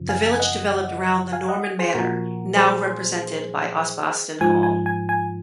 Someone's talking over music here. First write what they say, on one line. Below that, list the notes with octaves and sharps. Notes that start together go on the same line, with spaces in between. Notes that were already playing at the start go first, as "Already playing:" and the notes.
The village developed round the Norman manor now represented by Osbaston Hall.
Already playing: F#2 C#3 F3
F5 G#5
G#5
D#5 F#5
F5 G#5
D#5 F#5
G#4 C5
A#2 F3 F#4 A#4
G#4 C5
G#2 F3 G#5
G#5
G#5
G#5